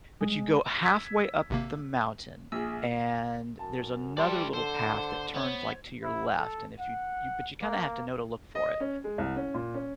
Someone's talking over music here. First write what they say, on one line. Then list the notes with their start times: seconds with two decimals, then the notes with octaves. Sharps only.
but you go halfway up the mountain, and there's another little path that turns, like, to your left, and if you you but you kinda have to know to look for it.
0.21 G#3
0.83 E6 G#6 B6
1.50 G#1 C3 A#3
2.52 A#1 G#4 E6
3.59 F#2 A5
4.17 G3 A3 D5 A5 C6
4.53 D3 A4 C5
5.34 B3 C5 C#5
6.03 E4
6.38 A4
6.80 F#5
7.62 A#3
8.55 D#5
8.80 C#4
9.04 G#3
9.18 C2
9.36 C#4
9.54 A#2
9.74 C#4